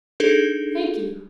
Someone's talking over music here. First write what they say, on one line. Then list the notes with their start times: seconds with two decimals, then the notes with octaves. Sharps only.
Thank you.
0.20 D4 D#4 G#4 A4